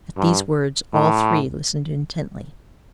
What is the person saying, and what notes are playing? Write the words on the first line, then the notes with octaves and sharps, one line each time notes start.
At these words all three listened intently.
G2
A2